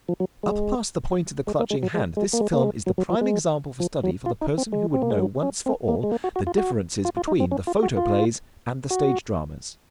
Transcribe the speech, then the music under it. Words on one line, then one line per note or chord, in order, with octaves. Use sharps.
Up past the point of the clutching hand this film is the prime example for study for the person who would know once for all the differences between the photoplays and the stage dramas.
F3
F#3
G#3
G#3
A#3
G#3
F#3
G#3
G#3
A#3
G#3
A#3
G#3
F#3
F#3
F3
G#3
F3
F#3
F4
D#4
C4
G#3
C4
A#3
G#3
F#3
C#4
C4
A#3
G#3
A#3
F#4
F#4
F4
F#4
F4
F4
D#4
C4
C#4
F4
F#4
F4
F#4